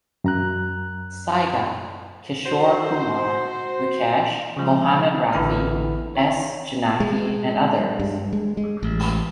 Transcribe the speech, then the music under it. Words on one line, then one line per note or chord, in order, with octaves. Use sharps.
Saigal, Kishore Kumar, Mukesh, Mohammed Rafi, S. Janaki and others.
F#2 A#5 F#6
F#4 C5
C#3 F3 G#3
A1 D3 B3 E4 B5 F6
C#5
G#3
G2
G#3
G#3
A1